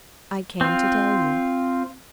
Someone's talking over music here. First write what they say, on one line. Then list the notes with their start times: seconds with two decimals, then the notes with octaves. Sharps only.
"I came to tell you."
0.61 C4 F4